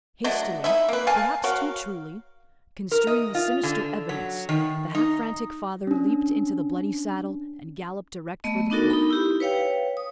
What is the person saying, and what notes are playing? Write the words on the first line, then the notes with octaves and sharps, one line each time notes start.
Hastily--perhaps too truly--construing the sinister evidence, the half-frantic father leaped into the bloody saddle, and galloped direct for the Fort.
F#3 A3 D4 D#5
D#4 E4 E5
A#3 B4
F5 G#5 A5
F#4 A#4 C#5 F5
A#4
D#5
F4
D3
F#3
D#3
D#4
C#4 D4
A3 B3 D#5
B3 D4 D#4 F#4 A4 A#4
D#4 B5
E4 G4
B4 C#5 F5 G5
D#6